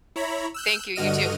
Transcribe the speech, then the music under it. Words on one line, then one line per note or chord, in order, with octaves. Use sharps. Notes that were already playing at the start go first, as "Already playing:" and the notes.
Thank you. You too.
E4 C#5 A#5 B5
E6 F#6 G6
G2 D3 F#4 D#5 F6 D#7